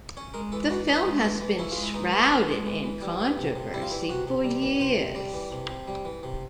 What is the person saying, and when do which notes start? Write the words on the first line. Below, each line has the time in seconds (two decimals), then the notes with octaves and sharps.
The film has been shrouded in controversy for years.
0.17 C#4 C#5
0.34 G#3 A#4
0.52 E3 A4
0.70 E3 F#4
0.88 C#4 D#4
1.05 G#3
1.24 E3
1.41 E3
1.59 C#4 E4
1.71 F4
1.77 G#3
1.83 E4
1.94 E3 D#4
2.13 E3
2.31 C#4
2.49 G#3
2.66 E3
2.84 E3
3.01 G3
3.20 E3
3.38 C3
3.55 C3
3.74 G3 E4
3.82 F4
3.90 E3 E4
4.10 C3 F#4
4.27 C3
4.44 G3
4.62 E3
4.80 C3 C5
4.98 C3
5.15 G3 D5
5.34 E3
5.52 C3
5.69 C3
5.87 G3
6.05 E3
6.23 C3